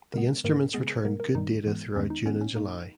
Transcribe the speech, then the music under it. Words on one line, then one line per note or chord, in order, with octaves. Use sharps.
The instruments returned good data throughout June and July.
C#3 G#3 B3 A#4
G#2 D#3 A#3 A#4
C#3 G#3 B3 G#4
G#4
B2 G3 A#3 A#4
A#4
G2 D#3 G3 D#4
G#2 E3 G#3 B3
E2 D#3 G#3 B3 C#4
D#4
G#2 D#3 G#3 B3 C#4
C#4
A#2 A#3 D#4